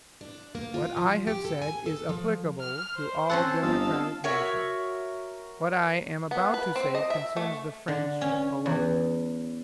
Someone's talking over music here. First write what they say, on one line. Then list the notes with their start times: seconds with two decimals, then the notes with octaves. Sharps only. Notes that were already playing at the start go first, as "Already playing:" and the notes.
What I have said is applicable to all democratic nations: what I am about to say concerns the French alone.
0.21 D4
0.55 A#3
0.74 F4
0.97 F3
1.27 G4
1.45 A4
1.62 G#5
1.86 A4
2.09 F3
2.60 F6
2.95 C5
3.30 C4 C#4 A4 F#5
3.62 G1 D#5 F5 A5 E6
4.24 F#4 A#4 C#5 E5
6.31 B3
6.54 B4
6.76 C4
6.95 D#5
7.10 E5
7.37 A3
7.88 D3
8.21 C#4
8.66 E2